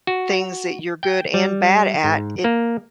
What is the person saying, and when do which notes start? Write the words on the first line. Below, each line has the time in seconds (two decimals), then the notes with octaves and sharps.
things that you're good and bad at it
0.07 F#4
1.03 G5
1.34 G3
2.04 G#2
2.44 A#3